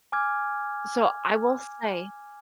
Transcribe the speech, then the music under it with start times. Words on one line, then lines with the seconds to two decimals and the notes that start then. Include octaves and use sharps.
So, I will say
0.12 G#5 D6 F6 G#6